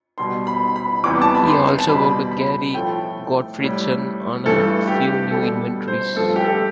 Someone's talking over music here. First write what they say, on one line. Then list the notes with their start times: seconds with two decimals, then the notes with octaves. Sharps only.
He also worked with Gary Gottfredson on a few new inventories.
0.18 B2 G3 C6
0.47 B5
0.76 B5
1.04 E2 C3 E3 G3 D6
1.22 A5
1.35 B5
1.47 C6
1.79 A5
1.89 B2 G3 B5
2.31 B5
2.74 A2 F3 A3 G5
3.59 A2 G3
4.45 G2 E3 A3 A4
4.87 G4
5.30 B2 G3 A4
5.88 C5
6.16 G2 F3 A3 A4
6.36 G4
6.44 A4